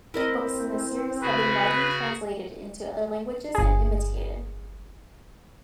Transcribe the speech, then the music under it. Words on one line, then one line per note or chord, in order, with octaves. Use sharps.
Books in the series have been widely translated into other languages and imitated.
C4 E4 A#4 D#5
C#3 F#4 G#4 B4
G1 G#4